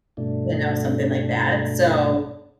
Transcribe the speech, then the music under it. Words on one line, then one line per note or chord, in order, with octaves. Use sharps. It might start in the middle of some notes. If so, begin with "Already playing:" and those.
you know, something like that, so,
G2 B2 A3 D4